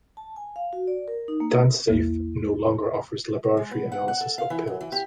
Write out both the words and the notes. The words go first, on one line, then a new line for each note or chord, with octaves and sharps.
DanceSafe no longer offers laboratory analysis of pills.
A5
G#5
F5
F#4
D5
A#4
D#4
A#3
A#1 E2 A#3 E4
G#3
B3
F#5
F#5
A4
F5
E3
F#3
E3
G4